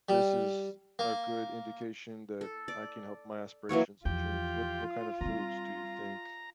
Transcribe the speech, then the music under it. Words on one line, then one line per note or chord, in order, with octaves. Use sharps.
this is a good indication that I can help my aspirations and dreams. What what kind of foods do you think
G3
A#3
A4
D5
E3 F#3 A#3 C#5
E2 F3 F4 G4 G5
G3 C4 A#5